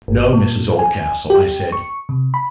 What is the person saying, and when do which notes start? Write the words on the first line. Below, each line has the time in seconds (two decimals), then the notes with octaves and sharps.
"No, Mrs Oldcastle," I said.
0.08 G1
0.33 A#2
0.79 G#5
1.30 G4
1.72 C#6
2.09 C3
2.34 B5